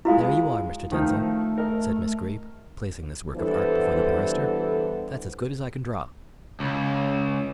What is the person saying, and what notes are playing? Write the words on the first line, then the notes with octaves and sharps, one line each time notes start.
"There you are, Mr. Denzil," said Miss Greeb, placing this work of art before the barrister, "that's as good as I can draw."
F#3 G#3 E4 F4 F5
D#3 F3 A3 D#4
A#4 D#5
D3 E3 G3 B3 A4 C5
C#2